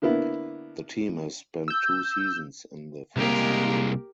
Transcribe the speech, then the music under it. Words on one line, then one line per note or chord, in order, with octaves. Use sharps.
The team has spent two seasons in the first division.
D3 A#3 B3 E4
E6 G6
C2 G#3 A#3 G4 A#4